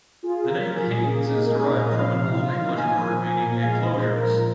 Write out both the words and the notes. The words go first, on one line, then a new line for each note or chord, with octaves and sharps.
The name 'Haynes' is derived from an Old English word meaning "enclosures".
F4 G#4
F4 A#4
A#3 A#4
G#4
F4
A#2 G#4
A#3
D#4
A#4
G#3 G#4
A#4
A#2
D#5
F3 F5
C3
F4
D#3
A#3 G#5
F3
A#3
A#2
G#3 F5
D#5
A#2
C5
A#3 A#4
F3